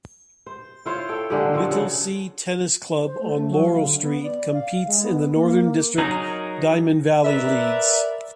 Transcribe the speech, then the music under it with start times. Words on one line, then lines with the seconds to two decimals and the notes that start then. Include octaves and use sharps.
Whittlesea Tennis Club on Laural Street competes in the Northern district, Diamond Valley Leagues.
0.46 C5
0.86 E4 F4 C5 C#5
1.09 A4 G5
1.30 D3 G#3 A#3 G4
1.54 F3 F#4 A4
1.71 C#3 F#5
3.06 C5
3.21 A3
3.49 F#3
3.65 F5
3.82 D3
4.02 B3
4.23 D5
4.53 F5
4.87 G#3
5.04 B3
5.33 A#3
5.98 F#3 D#4 G#4 A#4
7.25 A#4 B4 D5 E5